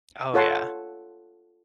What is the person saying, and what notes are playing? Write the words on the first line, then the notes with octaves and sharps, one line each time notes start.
Oh, yeah.
F4 A4 C#5 F#5 A5 C6